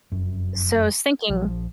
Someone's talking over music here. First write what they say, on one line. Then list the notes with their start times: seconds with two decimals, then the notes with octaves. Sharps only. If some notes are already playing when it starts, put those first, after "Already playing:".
So I was thinking
0.12 F1 F#2
1.29 A#1 D3 F3